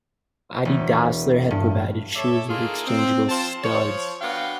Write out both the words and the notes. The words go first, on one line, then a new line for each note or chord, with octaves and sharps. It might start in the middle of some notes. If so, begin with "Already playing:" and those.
Adi Dassler had provided shoes with exchangeable studs.
E1
G2
A4 C#5 D5 E5
A#3 D#4 F4 G#4 A4
C4
F3 F4 C5 A5
F3 C#5
B3 D4 F#4 F5 G5